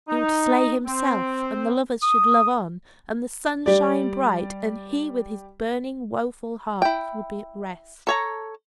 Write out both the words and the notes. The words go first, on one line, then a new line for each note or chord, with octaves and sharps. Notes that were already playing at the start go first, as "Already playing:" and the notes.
He would slay himself, and the lovers should love on, and the sun shine bright, and he with his burning, woeful heart would be at rest.
D#4
C4
D#6
G3 D5
E4 G5
A4 C#5 A#5